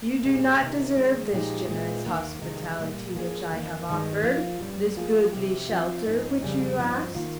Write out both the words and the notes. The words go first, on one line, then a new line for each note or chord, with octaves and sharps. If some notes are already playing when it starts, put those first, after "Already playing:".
You do not deserve this generous hospitality which I have offered, this goodly shelter which you asked.
A#2 G#3 C4 G4
C3 D#3 A#3 D#4 G4
F2 D#3 G#3 C#4
A#2 F3 G#3 D#4 G4
A#2 G#3 C4 F4
D#2 D#3 A#3
F2 C3 D#3 G#3
A#2 G3 A#3
F3 A#3 C#4 G#4
F2 D#3 A#3
G2 D#3 G#3
F3 A#3 F4
G2 G3 C#4
F3 A#3 F4 G#4
C3 F3 C4 G4
F3 C4 F4
G#2 F3 C4 D#4
F2 C#3 G3
G2 F3 C4 D#4
D#3 A#3 F4